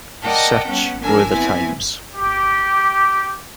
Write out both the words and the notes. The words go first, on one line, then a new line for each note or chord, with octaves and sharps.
Such were the times.
A#4 D5 D#5 F#5 G5 A5
G3 B3 C#4 F#5
F3 D4 A#4 G#5 E6
E3 B3 C4 E4 G#5
G4